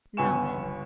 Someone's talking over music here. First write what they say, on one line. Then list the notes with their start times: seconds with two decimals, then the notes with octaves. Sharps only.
"Now, then!"
0.17 G1 C#2 B3 G#5 C#6 E7